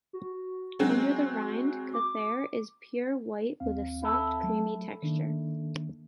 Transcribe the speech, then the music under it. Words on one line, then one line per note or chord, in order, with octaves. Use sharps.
Under the rind, Cathare is pure white with a soft, creamy texture.
F#4
F#3 G#3 C4
D6
D#2 C4 F5
E4 A4
F#3 A3
D#3 A#3 D4